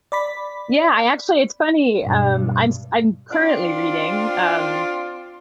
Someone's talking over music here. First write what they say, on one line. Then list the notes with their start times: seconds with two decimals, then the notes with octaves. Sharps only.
Yeah, I actually it's funny, um, I n s I'm currently reading, um,
0.12 D5 B5 B6
2.01 G2 B2
3.32 C4 D4 F4